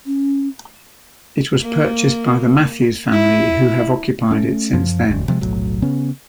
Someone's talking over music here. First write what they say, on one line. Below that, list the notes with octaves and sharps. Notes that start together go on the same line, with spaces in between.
It was purchased by the Matthews family who have occupied it since then.
C#4
A#3
E4
A3 C#4
F#2 F3
E1 D2
C3 F3 G3 G#3
F1 B1 A2 F#3
C#3 B3 C#4